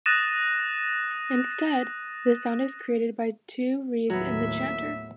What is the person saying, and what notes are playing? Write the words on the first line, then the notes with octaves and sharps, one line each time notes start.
Instead, the sound is created by two reeds in the chanter.
D#6 F#6 A6 A#6 D#7 E7
D#2 A2 F#3 B3 E5